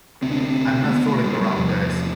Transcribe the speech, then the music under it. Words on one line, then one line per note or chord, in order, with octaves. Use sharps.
I'm not fooling around guys.
D2 C3 C4
D4
C4
A3
B3
A3
G3
G3
E2 C3 F3